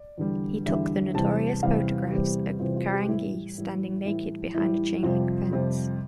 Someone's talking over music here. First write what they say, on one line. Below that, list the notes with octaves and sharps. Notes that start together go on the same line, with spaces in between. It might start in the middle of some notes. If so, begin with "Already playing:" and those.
He took the notorious photographs of Carangi standing naked behind a chain-link fence.
Already playing: D5
E2 D3 G3
E2 D3 G3 E5
E2 C3 G3 A5
E2 C3 G3 F5
E2 C3 G3 G4
E2 C3 G3 F4
F4
G4
A2 E3 G3 E4
A2 E3 G3
A2 E3 G3 E4
A2 E3 G3 E4
F2 C3 G3 F4
F2 C3 G3